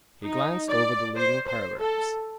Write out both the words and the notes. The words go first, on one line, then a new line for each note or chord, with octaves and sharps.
He glanced over the leading paragraphs.
D#4
D5
C5
C5
A4